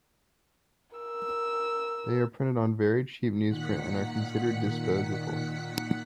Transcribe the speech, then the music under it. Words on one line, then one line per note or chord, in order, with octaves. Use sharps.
They are printed on very cheap newsprint and are considered disposable.
A#4 E6
A#2 D#3 F#5 F#6 B6 C#7